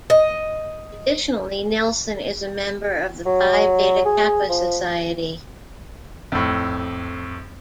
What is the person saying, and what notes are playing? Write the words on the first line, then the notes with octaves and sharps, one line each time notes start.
Additionally, Nelson is a member of the Phi Beta Kappa Society.
D#5
F#3
G#4
F3
F2 A2